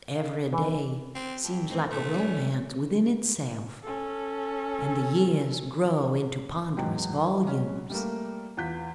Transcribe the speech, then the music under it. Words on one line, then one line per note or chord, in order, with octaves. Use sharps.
Every day seems like a romance within itself, and the years grow into ponderous volumes.
F5
E3
C4 G4
F2 G4
E3 G#3 C4
A#2 A3 D#4
G3 C#4
C#4 A4
E2 F#3 G#3 G5
F#3 G#3 C#4
G3 A3 A#3
E2 F4 G6 B6